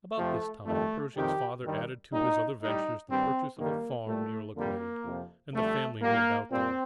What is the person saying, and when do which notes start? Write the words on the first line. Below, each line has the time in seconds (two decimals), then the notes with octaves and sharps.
About this time Pershing's father added to his other ventures the purchase of a farm near Laclede, and the family moved out there.
0.17 F2 C3 F3 A3
0.65 F2 D#3 G3 A3
1.14 F2 C3 D#3 G3 G4
1.63 G2 D#3 G3
2.12 A#2 G3 D#4
2.60 A2 G3 D#4
3.09 G2 D#3 G3 C4
3.58 G2 D#3 G3 A#3
4.06 A#2 G3 A3
4.55 F2 D3 G3 A#3
5.05 F2 C3 F3
5.53 F2 D3 G3 A3
6.02 A#2 G3 A#3
6.50 A#2 G3 C4